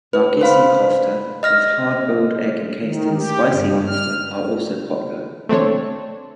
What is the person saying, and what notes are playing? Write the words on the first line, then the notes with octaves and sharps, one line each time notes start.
Nargisi kofta with hard boiled egg encased in spicy kofta are also popular.
B4
C5 F5 B5
D#5 F6 A#6
D#3
G4
G2
F6
A3 C4 D4 A4 C#5